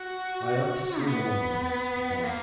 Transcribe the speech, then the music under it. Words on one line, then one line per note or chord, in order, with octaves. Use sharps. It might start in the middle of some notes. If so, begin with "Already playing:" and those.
"I ought to see more of her," he thought.
Already playing: F#4
A#3
B3
A#3